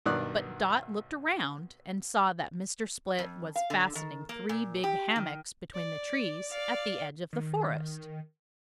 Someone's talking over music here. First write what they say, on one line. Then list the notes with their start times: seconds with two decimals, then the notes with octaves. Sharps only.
But Dot looked around and saw that Mr. Split was fastening three big hammocks between the trees at the edge of the forest.
0.05 B1 G2 D#3 D5 D#6 F#6
3.19 F2
3.56 F5
3.70 D3
3.95 D#3
4.29 A#3
4.49 A#2
4.84 G4
5.16 D#3
5.74 D5
6.50 D5 F5
7.33 D#3